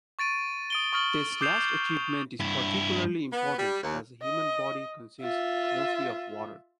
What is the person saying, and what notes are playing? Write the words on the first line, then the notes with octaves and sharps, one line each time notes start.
This last achievement is particularly important as the human body consists mostly of water.
C#6 A6 D7 D#7
D#6 D7 G7
C#6 D#6 F6 A6 F#7 G7
D6 D#6 G6 C7 E7 F7
G2 E4
B3
G3
D#2
D#5
F4 E5